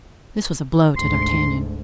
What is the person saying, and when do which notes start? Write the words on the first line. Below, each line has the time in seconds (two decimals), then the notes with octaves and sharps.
This was a blow to D'Artagnan.
0.97 D2 G#2 C6